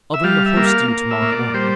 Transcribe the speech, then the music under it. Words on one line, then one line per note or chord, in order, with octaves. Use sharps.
I'll bring the horse to you to- morrow morning.'
E5
G3 F5
E5
A#3
F5
A#3
E5
A#2
D5
G3 C5